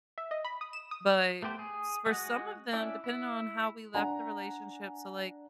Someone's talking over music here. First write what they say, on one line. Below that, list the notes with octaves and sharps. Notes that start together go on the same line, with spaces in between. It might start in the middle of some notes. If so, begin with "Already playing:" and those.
But s for some of them, depending on how we left the relationship so, like,
E5
D#5
B5
D#6
E7
D#6
A3 B3 G4 C5
G#4
G#3 F#4 D#5 F#5
C#4 D4 E4 D5 E5
E4
D4 F#5 G#5 A#5